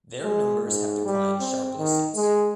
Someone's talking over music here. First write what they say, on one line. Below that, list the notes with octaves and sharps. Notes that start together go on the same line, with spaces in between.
Their numbers have declined sharply since.
G#3
G#2
G3
C4
D#3
G#3